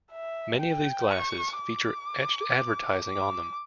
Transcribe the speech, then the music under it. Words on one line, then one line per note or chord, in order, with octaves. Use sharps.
Many of these glasses feature etched advertising on them.
E5
G5
C#6
D6
D6